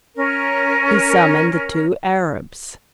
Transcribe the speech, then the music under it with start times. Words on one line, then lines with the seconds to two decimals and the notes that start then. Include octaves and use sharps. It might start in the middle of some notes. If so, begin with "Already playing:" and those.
He summoned the two Arabs.
0.16 C#4 A#4